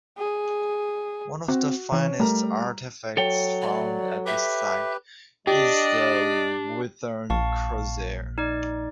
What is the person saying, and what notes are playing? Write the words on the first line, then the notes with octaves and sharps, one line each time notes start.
One of the finest artefacts found at the site is the Whithorn crozier.
G#4
C4 F#4
E3 C#4
G3 A3 A#4 A#5
F#3 A4 C#5 G5
D5
G4 B4 E5
D4 G4 D5 D#5
A#1 F5 A5 C#6
D#4 D5